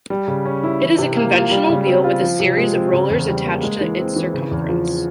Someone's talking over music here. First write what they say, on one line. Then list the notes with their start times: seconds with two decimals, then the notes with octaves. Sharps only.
It is a conventional wheel with a series of rollers attached to its circumference.
0.10 G3
0.28 C#3
0.46 C#4
0.64 E4
0.81 E3
0.98 C3
1.17 A#3
1.34 F4
1.51 G3
1.69 C#3
1.86 C4
2.04 F4
2.22 F3
2.40 C3
2.57 G#3
2.75 C4
2.93 C#3
3.10 E2
3.28 G3
3.45 A#3
3.63 G#3
3.81 E3
3.99 C4
4.16 E3
4.34 C#3
4.51 E2
4.69 F3